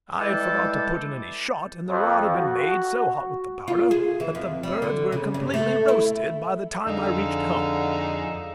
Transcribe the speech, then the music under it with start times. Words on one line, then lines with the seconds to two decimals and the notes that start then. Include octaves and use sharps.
I had forgot to put in any shot, and the rod had been made so hot with the powder, that the birds were completely roasted by the time I reached home.
0.19 E3 G3 G#3 A4 G5 D6
1.89 F2
2.36 F#4
3.68 F4
3.91 G#4
4.20 E3
4.35 F2
4.63 G3
4.82 D3
5.12 C#3
5.34 G2
5.54 A3
5.88 E4
6.86 F2 D3 D#4 G#4 F5 E6